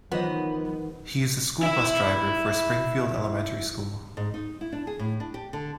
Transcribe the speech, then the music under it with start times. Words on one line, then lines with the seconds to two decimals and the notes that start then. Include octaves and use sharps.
He is the school bus driver for Springfield Elementary School.
0.12 D#3 E3 F#3 B3 F4 C5 D#5
1.63 E4 E5
4.17 G#2
4.34 D#4
4.61 E4
4.72 D4
4.87 G#4
4.99 A2
5.20 D4
5.34 G4
5.53 D3